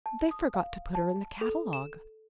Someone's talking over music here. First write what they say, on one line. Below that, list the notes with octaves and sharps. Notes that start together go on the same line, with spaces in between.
"They forgot to put her in the catalogue."
A5
D#6
F5
A5
A4
E7